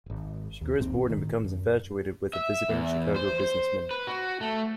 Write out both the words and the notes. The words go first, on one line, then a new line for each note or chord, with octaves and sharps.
She grows bored and becomes infatuated with a visiting Chicago businessman.
D1 G#1
D#2
D1 A#1 D#2 C4
A2 D#3
F#2
E5
E2
C5
C5
B4
F#4
A3